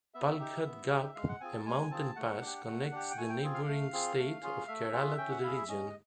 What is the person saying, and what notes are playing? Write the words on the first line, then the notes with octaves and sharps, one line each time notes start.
Palghat Gap, a mountain pass connects the neighbouring state of Kerala to the region.
B3 E5
D#4 G4
B3
D#4 G4
G#3 F5
F#5
C4 F4 G#4 G#5
A5
G#3 G#5
C4 F4 G#4 A5
A3 F#5
D4 G4
A3
D4 G4
G5
A3 G#5
G5
C4 F4 G#4
F5
A3
C4 F4 G#4
A3
C#4 F4 G#4
A3 E5
C#4 F4 G#4
C#4 G5
F#5
E4 G#4 F5
E5
C#4 D#5